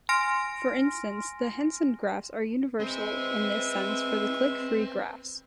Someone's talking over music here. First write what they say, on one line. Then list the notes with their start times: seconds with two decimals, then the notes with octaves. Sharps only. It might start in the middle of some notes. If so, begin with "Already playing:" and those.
For instance, the Henson graphs are universal in this sense for the -clique-free graphs.
0.09 G#5 C6 F6 A#6 D7
2.80 G#3 C4 B4 E5